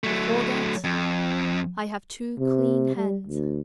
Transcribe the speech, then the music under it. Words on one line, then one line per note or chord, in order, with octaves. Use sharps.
But for that I have too clean hands.
F#3 A3
F2
C3
G3
D2